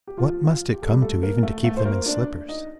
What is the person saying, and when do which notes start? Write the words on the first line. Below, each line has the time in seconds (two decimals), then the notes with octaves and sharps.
What must it come to even to keep them in slippers.
0.07 G4
0.17 F3 F4
0.45 F3 F4
0.74 G4
0.82 A4
0.90 G3 G4
1.02 A3 A4
1.23 A#3 A#4
1.43 A3 A4
1.64 A3 A4
1.77 C5
1.85 A#3 A#4
2.06 D4 D5
2.49 D#4 D#5